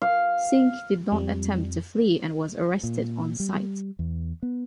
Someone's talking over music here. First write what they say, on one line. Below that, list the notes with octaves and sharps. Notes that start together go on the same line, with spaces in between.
Singh did not attempt to flee and was arrested on site.
F5
F2 G3
A#2
G3
E2
B3